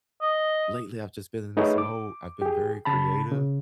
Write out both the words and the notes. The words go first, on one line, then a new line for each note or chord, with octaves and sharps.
lately, I've just been in this mode. I've been very creative,
D#5
A3 D#4 G#4 B4 C#5
D6
G4 G#4
C#3 A5 B5
C#3